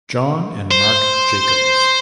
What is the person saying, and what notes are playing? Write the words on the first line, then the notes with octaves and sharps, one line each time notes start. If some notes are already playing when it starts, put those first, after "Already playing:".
John, and Marc Jacobs.
C5